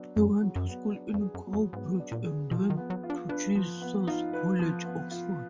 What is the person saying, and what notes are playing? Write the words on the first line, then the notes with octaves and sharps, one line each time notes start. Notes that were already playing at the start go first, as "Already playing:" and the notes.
He went to school in Cowbridge and then to Jesus College, Oxford.
Already playing: F#3 B3 D4
F#2 G#4
F#3
F#2
B3
D4
F2
G#4
F#2
F#3
F2
G#2 B3
D4
A#2
G#4
B2 F3
D#3
B3
F#3
F4
D4
D4 B4
F3
B3
D#4 F4
B4
F3
B3
F4